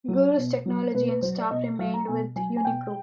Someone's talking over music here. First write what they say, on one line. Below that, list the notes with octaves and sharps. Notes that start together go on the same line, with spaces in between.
Guru's technology and staff remained with Unicru.
F#3
B2
F#3
B2 B4
B4
F#3 C5
D5
B2 D#5
F#3 F5
A#5
B2 G#5
F#3 G#5
G#5
B2 G5